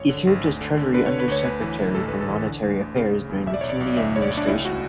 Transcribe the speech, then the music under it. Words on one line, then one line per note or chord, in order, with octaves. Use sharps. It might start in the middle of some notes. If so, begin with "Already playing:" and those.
He served as Treasury Undersecretary for Monetary Affairs during the Kennedy administration.
Already playing: G#1 C#5
D3
G#1
D2
D3
D3
D3 B4
D3 C#5
B4
D2 C#5
D2 B4
E3
D2
A1 A4
A1 B4
A4
E3
D3
D2
D2
C#3
C#3
E2
B1 E5
D5
B1 C#5
D5
B1
D2 E5
D2 C#5
D5
D2
D4
C#2 E4
F#4